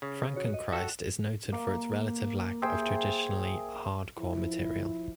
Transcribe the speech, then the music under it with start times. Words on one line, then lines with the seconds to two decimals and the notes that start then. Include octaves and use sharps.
"Frankenchrist" is noted for its relative lack of traditionally 'hardcore' material.
0.02 C#3
0.36 F#4 C#5
0.54 D#5
0.73 F#4 A4 G5 F#6
1.52 A#3
2.62 G#4 C5 E5 G5
4.17 F3 E4